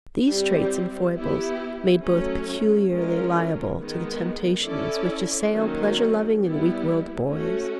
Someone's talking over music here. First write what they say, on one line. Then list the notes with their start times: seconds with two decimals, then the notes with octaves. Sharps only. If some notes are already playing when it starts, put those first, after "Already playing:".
These traits and foibles made both peculiarly liable to the temptations which assail pleasure-loving and weak-willed boys.
0.28 G3 C4 E4 G4
1.16 B3 E4 G4
2.03 F#3 A3 C#4
2.91 G#3 C#4 F4 A#4
3.78 D#3 G#3 B3
4.65 C#4 E4 A4 D5
5.53 D#3 F#3 A#3 C#4
6.41 G3 B3 E4
7.28 A3 C#4 F#4